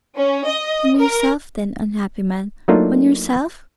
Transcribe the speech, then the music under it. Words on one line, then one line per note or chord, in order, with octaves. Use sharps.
"On yourself, then, unhappy man; on yourself?"
C#4
D#5
A#4
F#3 A3 A#3 D4 D#4 F4